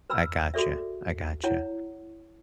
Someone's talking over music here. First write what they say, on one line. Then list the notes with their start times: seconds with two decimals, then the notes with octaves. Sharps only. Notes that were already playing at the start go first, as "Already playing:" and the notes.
I gotcha, I gotcha.
0.10 B4 A#5 B5 E6
0.54 F#4 G#4 A4 D5 E5
1.44 E4 C#5 F#5 A#5